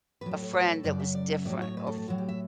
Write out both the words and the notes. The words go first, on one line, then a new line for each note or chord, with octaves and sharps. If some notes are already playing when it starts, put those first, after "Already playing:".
a friend that was different or f
A2 F#3 B4
A4
C#5
B4
A4
F#2 C#3 F#3 D5
E5
D5
E5
A2 F#3 D5
C#5
B4
A4
A4
A2 F#3 F#4
G4
E5